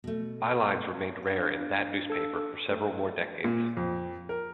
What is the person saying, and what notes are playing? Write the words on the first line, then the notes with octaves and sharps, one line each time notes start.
Bylines remained rare in that newspaper for several more decades.
B2 A3
D4 F5
A4 E6
A3
A#2
F2
A#4